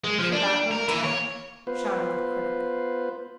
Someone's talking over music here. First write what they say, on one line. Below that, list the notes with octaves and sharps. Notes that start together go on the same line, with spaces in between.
"For that little tale," shouted the Critic.
G#3
F3
D4
A#4
E3
C#5
B3 F4 B4 C5